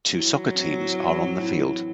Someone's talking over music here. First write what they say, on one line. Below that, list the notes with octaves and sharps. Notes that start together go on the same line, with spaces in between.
Two soccer teams are on the field.
E3 F#3
E3
C4
A2
F#4
C4
A2
E3